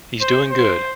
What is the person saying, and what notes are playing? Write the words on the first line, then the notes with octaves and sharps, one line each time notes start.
He's doing good.
C5
C5